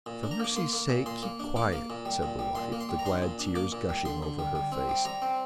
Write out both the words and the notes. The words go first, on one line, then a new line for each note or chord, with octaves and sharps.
"For mercy's sake, keep quiet," said the wife, the glad tears gushing over her face.
A#2
D4
A#5
A#3 D6
A#3 C6
A#3
A#2
A#2 C6
A#3
D4
A#3 D6
A#3
A#2
G3
A#2
G3
A#2 C6
A#3
C6
G3
A#5
D4 C6
A#2
D4
A#3 D6
A#2
G3
D3 C6
D3
G3
G3
C4
G3
G3 A#5
C4